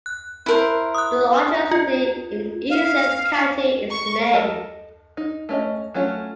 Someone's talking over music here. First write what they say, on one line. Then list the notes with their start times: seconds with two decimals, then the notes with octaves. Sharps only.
The largest city in Essex County is Lynn.
0.06 F#6
0.46 E4 A#4 C5
0.95 D#6 F#6
1.71 F4
2.70 F5
3.91 C#6
4.34 A4 A#4 D#5 A5 A#5
5.17 D#4
5.49 A3 C#4 A#4 D#5
5.94 F#3 A3 C#4 F4